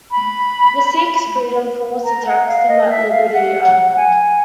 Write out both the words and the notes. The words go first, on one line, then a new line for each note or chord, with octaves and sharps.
Mystique's Freedom Force attacks them at Liberty Island.
B5
A#5
F#5
F5
D#5
E5
F5
F5
F#5
F#5
G#5